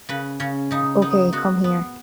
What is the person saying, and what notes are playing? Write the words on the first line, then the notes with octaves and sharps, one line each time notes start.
Okay, come here.
C#3 B4
C#3 C#4
C#3 D#4
B3 D#4
B3 F#4
B3